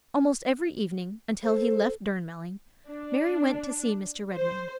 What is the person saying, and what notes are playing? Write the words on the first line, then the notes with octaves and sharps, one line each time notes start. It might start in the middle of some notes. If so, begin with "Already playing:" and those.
Almost every evening, until he left Durnmelling, Mary went to see Mr. Redmain.
A4 C5
D4
C5